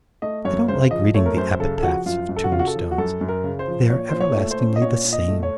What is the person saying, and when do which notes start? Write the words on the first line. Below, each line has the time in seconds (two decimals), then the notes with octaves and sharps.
I don't like reading the epitaphs of tombstones: they are everlastingly the same.
0.22 A3 D#5
0.45 F#2 C#5
0.68 C#3 C5
0.91 F3 D#5
1.14 A3 C#5
1.26 A#4
1.37 F#2 C5
1.59 C#3 A4
1.78 A4
1.82 F3 F#4
2.06 F#2 F4
2.29 F#2
2.36 A4
2.44 F#4
2.52 C#3 F4
2.59 F#4
2.67 A4
2.75 F3
2.91 F#4
2.98 F#2 A4
3.21 F#2
3.28 A#4
3.44 C#3
3.59 C5
3.67 F3
3.90 A#2 C#5
4.09 A#2 C5
4.20 C#5
4.36 A3
4.51 C5
4.59 C#4
4.76 D#5
4.82 A#2 C#5
5.05 A#2
5.13 D#5
5.28 A3
5.43 C#5